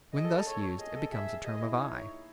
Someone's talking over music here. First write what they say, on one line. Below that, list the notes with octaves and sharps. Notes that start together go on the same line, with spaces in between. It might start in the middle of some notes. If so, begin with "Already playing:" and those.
When thus used it becomes a term of eye.
G#4 D#5
A4
A4
A4 C#5
G#4 D#5
A4
G#4 E5
G#4 D#5
E4
D#4 C#5